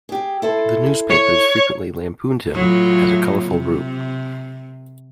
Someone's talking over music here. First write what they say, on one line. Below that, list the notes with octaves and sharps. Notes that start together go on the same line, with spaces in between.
The newspapers frequently lampooned him as a colorful rube.
G4 G#4
E4 A4 C5
C#5
A2 F#3 F4
C3